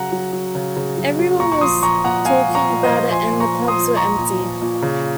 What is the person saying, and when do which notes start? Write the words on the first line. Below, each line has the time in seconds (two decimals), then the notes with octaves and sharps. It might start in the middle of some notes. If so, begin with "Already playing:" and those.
Everyone was talking about it and the pubs were empty.
Already playing: C#3 F#3 F#5 A#5
0.12 F#3
0.32 F#3
0.55 C#3
0.76 C#3
0.97 F#3
1.19 F#3
1.39 A#2 A#5 C#6
1.52 C#6
1.61 F3 C6 D#6
1.83 F3 A#5 C#6
2.04 A#2 F#5 A#5
2.25 A#2 F5 G#5
2.48 F3
2.55 A#5 C#6
2.69 A#2
2.83 C5 D#5
2.90 F3
3.11 F3 G#5 C6
3.33 A#2
3.40 A#5 C#6
3.54 F3
3.68 C6 D#6
3.75 F3
3.97 F3 A#5 C#6
4.18 A#2
4.40 F3
4.62 A#2
4.82 C#3